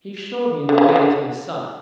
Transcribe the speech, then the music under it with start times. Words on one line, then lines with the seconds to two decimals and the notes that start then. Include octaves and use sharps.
He showed me the way to my son.
0.69 D3
0.78 C#3
0.89 C#3
0.96 D3